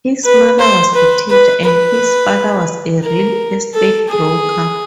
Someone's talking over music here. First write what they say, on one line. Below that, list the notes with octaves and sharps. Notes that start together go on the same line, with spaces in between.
His mother was a teacher and his father was a real estate broker.
B4
C5
B4
B4
B4
A#4
A4
G#4